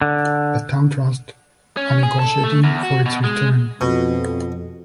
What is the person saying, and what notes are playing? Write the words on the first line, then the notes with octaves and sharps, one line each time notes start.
The Town Trust are negotiating for its return.
D3
C#4
G#4
A4
A3
E2
F#4
B2
G#3
F2 B2